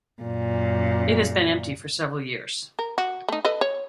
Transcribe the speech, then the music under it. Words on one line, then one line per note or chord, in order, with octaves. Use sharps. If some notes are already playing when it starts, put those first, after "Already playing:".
It has been empty for several years.
F#2 A#2
A#4
F#4
A3 D#4
A4 B4 D#5
C#5